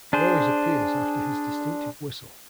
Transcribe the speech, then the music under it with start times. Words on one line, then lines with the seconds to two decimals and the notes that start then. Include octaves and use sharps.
He always appears after his distinctive whistle.
0.13 D4 G#4 C5